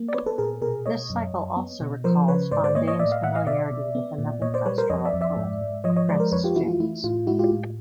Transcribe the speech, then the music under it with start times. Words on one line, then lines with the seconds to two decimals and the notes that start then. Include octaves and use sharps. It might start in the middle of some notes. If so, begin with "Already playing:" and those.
The cycle also recalls Fondane's familiarity with another pastoral poet, Francis Jammes.
Already playing: A#3
0.08 D5
0.14 B3 B4 C#5
0.26 A4 B4
0.38 A#2 G#4 A#4
0.62 B2 G#4 A#4
0.86 B2 C#5 D#5
1.10 F#2
1.33 F#2
1.56 B3
1.80 B2
2.04 F3 A#4 C5
2.28 C#3 B4 C#5
2.51 G#2 C5 D5
2.64 C5 D5
2.75 A#3 C#5 D#5
2.87 C#5 D#5
2.99 A2 D5 E5
3.11 D#5 F5
3.23 A2 E5 F#5
3.35 D#5 F5
3.47 B2 D5 E5
3.71 B2
3.95 B3
4.18 A#2
4.42 A#2 C#5 D#5
4.54 C5 D5
4.66 G3 B4 C#5
4.78 A#4 C5
4.90 F2 C#5 D#5
5.05 D5 E5
5.13 F2
5.21 D5 E5
5.37 G#2
5.61 G#2
5.84 F3 C#5 D#5
5.96 C#5 D#5
6.08 G#3 C5 D5
6.20 A#4 C5
6.32 F2 B4 C#5
6.44 F4 G4
6.56 E3 E4 F#4
6.68 F4
6.80 A3 E4
7.04 A2 F4
7.27 G#3 E4 F#4
7.39 F4 G4
7.51 A2